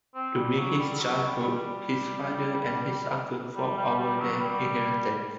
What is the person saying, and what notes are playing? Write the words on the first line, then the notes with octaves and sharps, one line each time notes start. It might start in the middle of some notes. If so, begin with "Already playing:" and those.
During his childhood, his father and his uncle fought over their inheritance.
C4
G3
F#3
G3
F#3
G3
G3
G3
G3
G3
F#3
G3